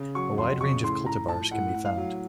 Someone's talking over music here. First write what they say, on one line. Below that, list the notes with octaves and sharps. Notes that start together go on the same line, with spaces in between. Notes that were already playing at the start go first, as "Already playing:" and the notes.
A wide range of cultivars can be found.
Already playing: C#3
F#3 C#6
F2 C6
C#3 C#6
A2 C6
A2 A#5
F3 A5
A2 F#5
A2
F5
F#3